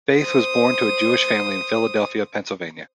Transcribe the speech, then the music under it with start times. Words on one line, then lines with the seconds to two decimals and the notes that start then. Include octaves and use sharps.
Feith was born to a Jewish family in Philadelphia, Pennsylvania.
0.18 C5 D#6